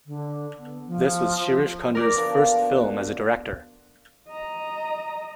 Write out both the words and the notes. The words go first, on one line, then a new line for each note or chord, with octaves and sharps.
This was Shirish Kunder's first film as a director.
D3
B3
F3
A#4 D5
B2 D3 F3
F#5
D#5 A#5